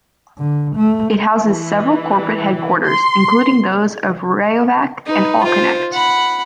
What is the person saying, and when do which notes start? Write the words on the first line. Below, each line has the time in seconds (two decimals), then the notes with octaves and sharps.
It houses several corporate headquarters, including those of Rayovac and Allconnect.
0.38 D3
0.76 A3
1.43 E3
2.85 C6
5.06 D#4 B4
5.44 F4 C5
5.93 F#5 B5